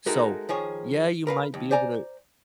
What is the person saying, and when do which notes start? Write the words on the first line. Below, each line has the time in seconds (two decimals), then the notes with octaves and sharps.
so, yeah, you might be able to
0.06 G#3 A3 D#4 F#4 A#4
0.49 D#3 F3 G#4 C#5
1.27 A#4 B4 F5
1.54 D#2
1.71 C5 D5 G#5 A#5